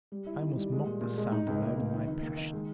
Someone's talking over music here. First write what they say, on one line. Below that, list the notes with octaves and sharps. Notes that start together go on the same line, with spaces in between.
I almost mocked the sound aloud in my passion.
G3
E4
D#3
G3
G#3
A#2
A#2
G#3
D#4
C#2
A#3
C#2
D#3
D#3
A#3
D#3
G#3